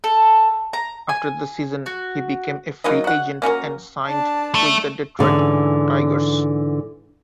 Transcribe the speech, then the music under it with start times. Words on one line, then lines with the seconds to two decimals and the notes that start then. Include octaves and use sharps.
After the season, he became a free agent and signed with the Detroit Tigers.
0.04 A4
0.73 A#5
1.09 G#5
1.86 F#4
2.84 F#3 A#3 D#4 D#5
3.04 F#4 F#5
3.42 A#3 C#4 F#4 A#4
4.06 D4 A5
4.55 A3
5.19 G#2 D3 E3 C#4